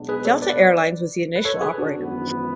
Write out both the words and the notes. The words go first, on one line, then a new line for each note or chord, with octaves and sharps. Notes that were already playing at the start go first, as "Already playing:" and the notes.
Delta Air Lines was the initial operator.
Already playing: B1 B2 G#3 B3 D4
G#4 B4
A4 C#5
B4 D5
B4
A4 C#5
G#4 B4
D4 F#4
G#1 F#2 E3 B3